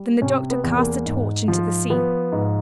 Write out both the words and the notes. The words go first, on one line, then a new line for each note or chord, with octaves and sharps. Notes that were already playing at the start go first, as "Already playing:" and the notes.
Then the doctor cast the torch into the sea.
Already playing: G3
C3 C#4
B3
E2
A#3
G#2
F3
F3 B3
G#2